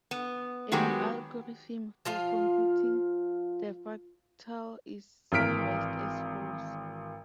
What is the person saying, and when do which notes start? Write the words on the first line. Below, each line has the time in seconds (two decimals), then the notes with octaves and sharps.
An algorithm, for computing the fractal is summarized as follows.
0.11 B3
0.72 D#3 F#3 G#3 B3 F#4 G4
2.05 F3 F4 F5
5.32 G#1 E3 A#4 F6 B6 D7